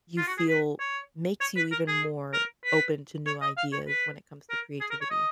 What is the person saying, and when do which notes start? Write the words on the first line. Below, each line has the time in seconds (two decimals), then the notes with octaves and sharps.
you feel makes you even more open to new ideas when it comes to creativity?
0.18 F4
0.27 F#4
0.38 G#4
0.48 B4
0.80 C#5
1.41 C#5
1.56 B4
1.72 A#4
1.87 G#4
2.34 A#4
2.64 B4
3.27 C#5
3.42 D#5
3.57 F5
3.73 C#5
3.87 B4
4.50 A#4
4.81 G#4
4.91 A#4
5.01 C#5
5.11 D#5